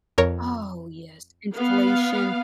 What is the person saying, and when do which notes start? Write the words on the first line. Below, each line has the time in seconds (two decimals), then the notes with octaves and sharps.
Oh, yes, inflation.
0.18 F2 A#4 C#5
1.55 B3 F5